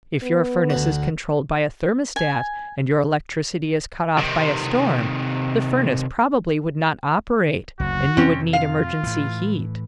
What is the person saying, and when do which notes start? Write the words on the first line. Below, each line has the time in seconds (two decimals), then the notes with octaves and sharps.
If your furnace is controlled by a thermostat and your electricity is cut off by a storm, the furnace probably would not operate and you would need emergency heat.
0.23 B3
0.70 D2 F#4
2.16 G#5
4.19 C3 D#3
7.80 F#1 D2 F#4
8.17 F2 C3 C4 C#4
8.53 F4 F5
9.03 A2 E3